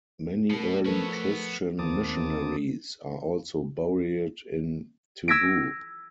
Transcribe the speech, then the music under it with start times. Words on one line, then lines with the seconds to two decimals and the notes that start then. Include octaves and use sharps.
Many early Christian missionaries are also buried in Tubou.
0.50 B2 A3 A#4
0.86 F3 B3 A4 B4 C#5
1.79 D#2 A#3 C4 A5 D6 D#6
5.28 E6 G#6 A#6 B6 C#7 D7